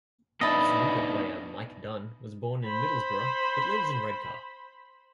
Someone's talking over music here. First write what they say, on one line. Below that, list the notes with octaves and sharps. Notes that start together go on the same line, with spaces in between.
Snooker player Mike Dunn was born in Middlesbrough but lives in Redcar.
B3 D4 D#4 D#5 E5 A5 B5
C5 B5